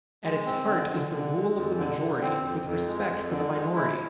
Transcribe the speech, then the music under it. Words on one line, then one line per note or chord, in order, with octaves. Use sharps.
At its heart is the rule of the majority with respect for the minority.
G#3
C4
D3
D3
D3
G#3
F2
D3
D3
C4
F2
F2
G#3
F2
D3
G#3
E4